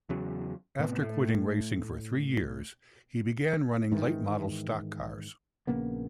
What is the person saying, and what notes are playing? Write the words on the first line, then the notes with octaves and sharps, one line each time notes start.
After quitting racing for three years, he began running late model stock cars.
E2 C#3 F#3
A2 C3 B3
A2 A3
G#2 D#3 E3
A#1 C#3 A#3 B3